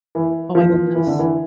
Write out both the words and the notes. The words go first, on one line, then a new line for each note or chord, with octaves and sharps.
Oh my goodness.
E3
F3
E3
D3
E3